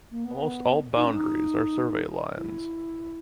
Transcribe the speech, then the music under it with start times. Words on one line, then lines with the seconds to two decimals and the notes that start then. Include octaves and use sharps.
Almost all boundaries are survey lines.
0.11 A#3
0.25 B3
0.95 D#4
1.05 C#4
1.12 D#4
2.37 E4